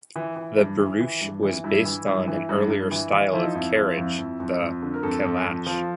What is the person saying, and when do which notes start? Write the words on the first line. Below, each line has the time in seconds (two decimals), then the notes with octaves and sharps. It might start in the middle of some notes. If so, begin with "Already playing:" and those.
The barouche was based on an earlier style of carriage, the calash.
0.16 E3
0.36 E3
0.58 G2
0.79 E3
1.01 E3
1.21 G2
1.43 E3
1.64 G2 E4
1.85 E3
2.07 G2
2.28 E3
2.49 G2
2.70 G2
2.91 E3
3.12 E3
3.33 F3 E4
3.44 D#4
3.55 F2 E4
3.76 F3
3.97 F2
4.18 F2
4.40 F2
4.61 F2
4.82 D3
4.94 A#4
5.03 F2 A4
5.24 F2
5.45 F2
5.66 F3